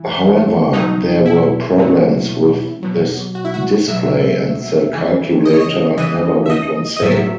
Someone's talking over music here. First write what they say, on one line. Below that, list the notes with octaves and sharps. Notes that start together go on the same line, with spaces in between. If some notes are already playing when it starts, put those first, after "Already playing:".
However, there were problems with this display and the calculator never went on sale.
Already playing: E3
B2 F#3 D#4
E4
B2 F#3
B2 F#3
F#4
E4
F#4
B2 F#3 E5
C#3 E3
D#5
C#5
D#5
C#3 E3 D#5
E5
D#5
D#5
A2 F#3 E5